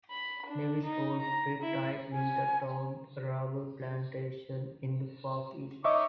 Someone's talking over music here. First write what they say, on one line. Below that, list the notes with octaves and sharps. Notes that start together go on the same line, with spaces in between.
Lewis Woolf Grip-tight Limited owned a rubber plantation in the Far East.
B5
D4
D#4
A#5
E4
G#5
D#4 C#5 D#5 E5 C#6 D6